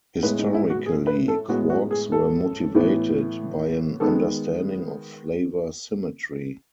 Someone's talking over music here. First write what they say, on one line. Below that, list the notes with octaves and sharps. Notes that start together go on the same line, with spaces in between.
Historically, quarks were motivated by an understanding of flavour symmetry.
A2 G#3 B3 B4
D#4
E4
F#4
G#4
B4
A4
A2 G#3 B3 F#4
F#4
G#4
A4
A2 E3 B3
D#3 G#3 B3 A4